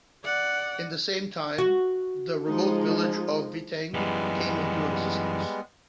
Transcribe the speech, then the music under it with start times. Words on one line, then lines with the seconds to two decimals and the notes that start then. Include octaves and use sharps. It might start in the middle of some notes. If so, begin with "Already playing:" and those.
In the same time, the remote village of Vitteng came into existence.
0.24 D5 F#5
1.58 F#4
2.47 F3 G#3 D#4
3.94 F#2 E3 G3 G#3 B3